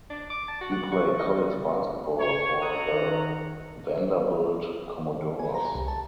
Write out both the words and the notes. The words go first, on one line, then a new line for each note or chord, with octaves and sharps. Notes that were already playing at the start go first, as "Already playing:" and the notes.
He played college basketball for the Vanderbilt Commodores.
D4
D6
A5
F#4
F#5
C#6
D#5
C#5
A4 F#5 A#5 D#6
D#3
G#5
A#5
C2
A5